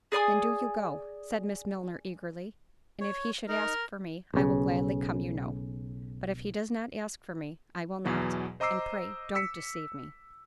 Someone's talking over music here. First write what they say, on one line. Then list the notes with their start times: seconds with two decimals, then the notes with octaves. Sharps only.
"Then do you go," said Miss Milner, eagerly; "and if he should ask for me, I will gladly come, you know; but if he does not ask for me, I will not--and pray don't deceive me."
0.12 G#4 D5 G#5 D#6
3.01 C#5
3.48 D#4 A#4
4.34 B1 C#3
8.04 E2 B2 E3 F#3 B3
8.60 C5 D#5 A#5 D6 E6 C7
9.35 E6 B6 C#7